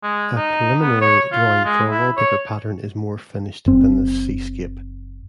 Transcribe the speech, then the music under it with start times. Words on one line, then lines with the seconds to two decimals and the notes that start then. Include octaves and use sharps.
A preliminary drawing for a wallpaper pattern is more finished than this seascape.
0.03 G#3
0.37 D#4
0.81 B3
1.01 C#5
1.32 F4
1.65 G#3
1.91 E4
2.18 C#5
3.66 F#1 C4